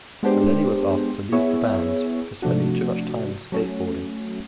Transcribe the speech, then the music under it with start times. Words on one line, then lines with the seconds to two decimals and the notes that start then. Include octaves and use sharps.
Vallely was asked to leave the band for spending too much time on skateboarding.
0.23 G#3 B3 D4 G4 C5
1.32 B3 E4 G#4 C#5 E5
2.42 C3 F3 A3 D4 F#4
3.52 F#3 A3 C#4